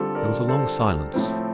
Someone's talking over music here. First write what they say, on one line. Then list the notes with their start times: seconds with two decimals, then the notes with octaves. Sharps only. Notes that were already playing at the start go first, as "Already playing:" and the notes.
There was a long silence.
Already playing: D3 G3 C4 F4 A4
0.15 A#4 D5
0.48 A4 C5
1.14 A2 F3 C4